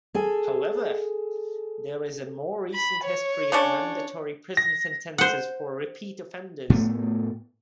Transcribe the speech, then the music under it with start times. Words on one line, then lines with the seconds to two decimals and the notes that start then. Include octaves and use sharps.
However, there is a more recent history of mandatory prison sentences for repeat offenders.
0.14 G#4 A4 G#5
2.74 B5
3.04 C#5
3.52 C#3 C#4 D4
4.57 A#6
5.18 C5 F#5
6.70 A2 A3 B3